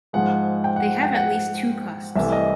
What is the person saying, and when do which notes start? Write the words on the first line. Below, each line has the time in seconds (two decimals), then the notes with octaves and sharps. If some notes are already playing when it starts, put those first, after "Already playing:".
They have at least two cusps.
0.13 G#2 F3 G#3 F#5
0.64 G5
0.76 F#5
1.03 G5
1.15 F#5
2.16 C2 C3 E3 A3 E5
2.32 D#5